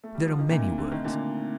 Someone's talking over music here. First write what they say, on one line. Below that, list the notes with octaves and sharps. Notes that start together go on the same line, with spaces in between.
There are many words.
A3
G3
F3
D#3
A#2 D3 A3 C4 D#4
D3
D#3
A#2 D3